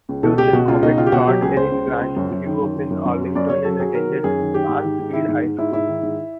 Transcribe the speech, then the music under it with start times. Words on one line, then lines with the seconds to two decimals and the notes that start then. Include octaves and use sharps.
Houston Comets Guard Erin Grant grew up in Arlington and attended Mansfield high school.
0.09 C#2
0.23 B2 A4
0.38 C#2 G4
0.53 B2 F#4
0.68 C#2 F4
0.83 B2 D#4
0.97 C#2 F4
1.07 G4
1.12 B2 F#4
1.27 F#3 G4
1.42 C#2 G#4
1.57 C#2 C5
1.72 C#2
1.87 C#2
2.01 C#2
2.16 F#2
2.31 F#2
2.46 D#3
2.61 F#2
2.76 D#3
2.90 F#2
3.05 F#2
3.21 F#3
3.35 F#2 D5
3.50 F#2 C#5
3.65 F#3 A4
3.80 F#3 G#4
3.94 D#3 A#4
4.09 D#3
4.24 F#2 G#4
4.40 D#3
4.54 D#3 G4
4.69 G#2
4.84 D#3
4.99 G#2
5.13 D#3 E4
5.28 G#2
5.43 G#2
5.58 G#2 E4
5.73 G#2 E4
5.88 D#3
6.03 G#2